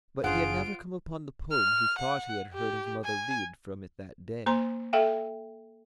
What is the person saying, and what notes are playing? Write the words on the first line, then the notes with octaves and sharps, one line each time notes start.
But he had never come upon the poem he thought he had heard his mother read from it that day.
F#1 D4 F4 G#4 C5 F5 F#5 D7
F6
F#5
G4
G#5
A#3 C5 A#5 C6
A4 E5 F5 G5